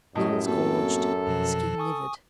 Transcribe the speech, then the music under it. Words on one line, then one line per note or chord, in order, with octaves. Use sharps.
Lungs gorged, skin livid.
F#2 A2 G3 D#5
A#3 C4 F#4 A4
F2 B2 F3
G#5 C#6 D#6